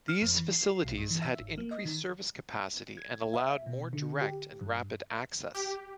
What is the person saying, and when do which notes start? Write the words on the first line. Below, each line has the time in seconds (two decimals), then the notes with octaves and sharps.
These facilities had increased service capacity and allowed more direct and rapid access.
0.08 F6
0.22 F2
0.37 E3
0.53 C7
0.84 B1
0.97 G2
1.11 E3
1.22 E5
1.40 G#1
1.58 A#3
1.71 D#5
1.85 D#3
2.97 G#6
3.34 E5
3.66 B2
3.93 D3
4.21 G4
4.61 G2
5.55 G4